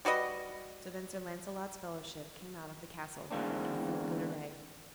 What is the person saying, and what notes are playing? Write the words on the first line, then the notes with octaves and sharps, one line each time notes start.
So then Sir Launcelot's fellowship came out of the castle in full good array.
G3 F#4 B4 D#5
E2 D3 G#3 A#3 C4 D4